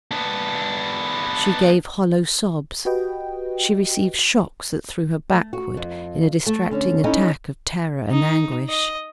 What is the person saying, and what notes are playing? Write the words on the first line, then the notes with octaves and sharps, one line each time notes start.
She gave hollow sobs, she received shocks that threw her backward, in a distracting attack of terror and anguish.
B3 D4
F#4 G4 B4 D#5 G5
A3
F#4
F2
A3
D3 C#4
C#4 D#4 E4 A4 D#5
D#4
D#5